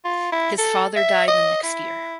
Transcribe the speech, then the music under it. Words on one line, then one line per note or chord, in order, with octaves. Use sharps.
His father died the next year.
F4
E4
A4
E5
D#5
E4